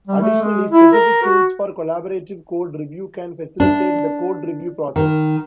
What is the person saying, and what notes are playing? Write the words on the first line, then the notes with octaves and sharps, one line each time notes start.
Additionally, specific tools for collaborative code review can facilitate the code review process.
G3
A3
G#3
E4
A#4
F#4
D4
D#3